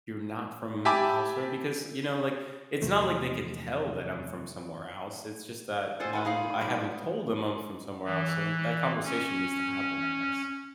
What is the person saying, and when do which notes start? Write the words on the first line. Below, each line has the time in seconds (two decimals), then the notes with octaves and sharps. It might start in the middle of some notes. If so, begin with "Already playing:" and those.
you're not from elsewhere because, you know, like, it's not like they can tell that I'm from somewhere else, it's just that, no, I haven't told them I'm from somewhere else, so that conversation needs to happen, I guess.
0.85 G4 E5 G#5 A5 B5 D6
2.82 E2 C3 F3 A3
6.00 F4 G#4 A4 C5 F#5 G#5
6.13 F4 B4 F#5 G#5 B5
6.25 D#4 G#4 F5
6.61 G3 D#4 G4
6.88 B3
8.05 E3
9.04 C#4